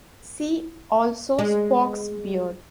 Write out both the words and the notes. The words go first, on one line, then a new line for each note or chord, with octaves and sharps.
See also Spock's Beard.
G#3